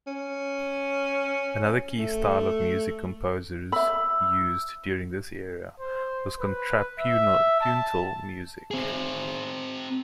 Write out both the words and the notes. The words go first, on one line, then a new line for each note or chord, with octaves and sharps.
Another key style of music composers used during this era was contrapuntal music.
C#4
A3
E5 B5 E6
C5
B4
E5
A5
C4 G#4